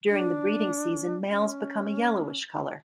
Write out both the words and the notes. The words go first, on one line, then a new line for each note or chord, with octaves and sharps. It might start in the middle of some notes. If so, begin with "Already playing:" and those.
During the breeding season males become a yellowish colour.
D4
C#4